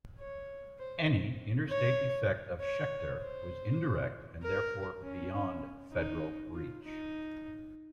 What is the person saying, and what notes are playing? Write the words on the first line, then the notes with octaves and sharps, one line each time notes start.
Any interstate effect of Schechter was indirect, and therefore beyond federal reach.
C#5
C5
C#5
C#5
C5
A#4
C#4
D#4
F4
D#4